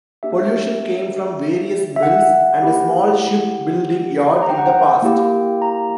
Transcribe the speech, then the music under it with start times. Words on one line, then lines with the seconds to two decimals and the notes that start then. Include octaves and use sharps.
Pollution came from various mills and a small ship building yard in the past.
0.23 A#3 D4 G4 E5
1.96 E5
2.03 F#5
2.62 A#3 E4 G4
4.42 A#5
4.50 G5
4.58 F#5
4.66 G5
5.02 A#3 E4 G4
5.62 A#5